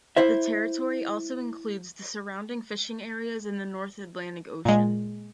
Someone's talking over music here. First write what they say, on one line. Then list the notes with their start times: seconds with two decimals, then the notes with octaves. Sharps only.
The territory also include the surrounding fishing areas in the North Atlantic Ocean.
0.16 E4 C5 E5
4.65 A#2 G#3